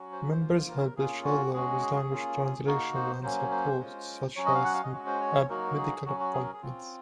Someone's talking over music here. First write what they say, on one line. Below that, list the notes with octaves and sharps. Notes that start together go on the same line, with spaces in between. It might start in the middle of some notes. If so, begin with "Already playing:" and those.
Members helped each other with language translation and support such as at medical appointments.
Already playing: F#3 C#4 F#4
C5
C5
A#3 F4
A#4
A#3 C#4 F4 G#4
F#4
G#3 C#4 F#4 G#4
G#4
G#4
A#3 C#4 F4
A#3 D#4 F#4 A#4
C5
F#3 A#3 C#4 C5
C5
G#3 C#4 F4
F#3 C#4 F#4 C#5
D#5
F5
F#5
F5
D#5
G#3 C#4 F#4
C5
C#5
F#3 A#3 D#4 F#4 A#4
G#4
F#3 C#4 F#4
F#4
G#4
A#4
G#4
C4 F4